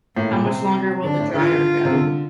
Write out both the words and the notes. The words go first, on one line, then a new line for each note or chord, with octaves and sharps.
How much longer will the dryer go?
A2 A#3
A#2
C3 C4
D3 D4
A2
D3 F4
E3
D3
C3
D3